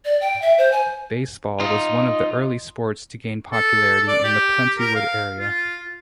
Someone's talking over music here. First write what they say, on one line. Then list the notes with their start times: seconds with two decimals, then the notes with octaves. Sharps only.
Baseball was one of the early sports to gain popularity in the Plentywood area.
0.05 D5
0.21 G5
0.42 E5
0.58 C5
0.72 G#5
1.60 D#4 F4
3.52 A4
4.08 D5
4.24 G4
4.79 A#4
4.95 F5
5.39 F4